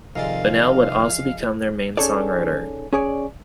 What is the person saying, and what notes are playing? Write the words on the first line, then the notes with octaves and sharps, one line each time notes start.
Bunnell would also become their main songwriter.
F2 C3 D#3 G#3 A#4 D5 F5
C#4 D#4 G#4 A4 C#5 D5
C#4 G#4 C#5 D5